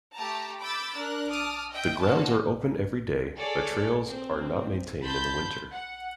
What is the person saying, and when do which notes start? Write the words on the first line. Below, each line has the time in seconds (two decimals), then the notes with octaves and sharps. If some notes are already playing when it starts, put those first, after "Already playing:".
The grounds are open every day, but trails are not maintained in the winter.
0.14 A3 G4 A5 A#5
0.59 B5 D6 E6 G6 A6
0.95 D4 A#4 F#6
1.30 A5 D6 D#6 F6
1.70 D#5 E5 G5
2.01 A#3 C#4 F#4 A5
3.38 G#4 A4 C#5 D5
4.06 C4
5.03 A5 B5 C6 G6
5.70 F#5